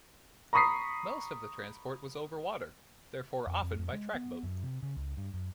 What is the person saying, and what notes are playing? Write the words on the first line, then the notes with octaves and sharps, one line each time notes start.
Most of the transport was over water, therefore often by track boat.
A#5 B5 C#6 D#6 B6 C7
F2
F2
F2
G#3
B3
F#2
C3
C#3
C#2
G2
F#2